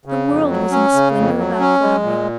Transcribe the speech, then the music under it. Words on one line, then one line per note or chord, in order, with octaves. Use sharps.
The world was in a splendor of out-flowering.
C#3
F2
F#3
C#4
C#3
F2
F#3
C#4
G#3
A#2